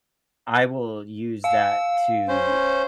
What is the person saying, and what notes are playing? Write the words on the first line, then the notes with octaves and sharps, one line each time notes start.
I will use that to
F5 E6
C#4 C5